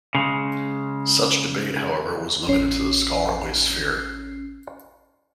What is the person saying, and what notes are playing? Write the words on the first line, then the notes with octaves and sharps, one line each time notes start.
Such debate, however, was limited to the scholarly sphere.
C#3 G#3
A1 C#4 C7